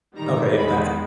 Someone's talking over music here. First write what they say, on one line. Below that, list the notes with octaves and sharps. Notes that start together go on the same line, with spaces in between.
Okay, yeah, that
G#2 D#3 G3 A#5
E2 D#3 G#3 B5